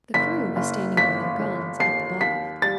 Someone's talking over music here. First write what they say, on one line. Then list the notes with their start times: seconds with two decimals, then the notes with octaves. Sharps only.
The crew was standing by their guns up above.
0.14 F#1 B6
0.56 F#1
0.97 G1 B6
1.39 G1
1.80 D#2 C7
2.21 D#2 B6
2.62 G3 A6